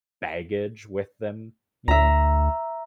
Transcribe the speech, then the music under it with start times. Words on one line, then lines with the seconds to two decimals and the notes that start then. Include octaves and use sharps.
baggage with them, you know.
1.88 D2 E5 A#5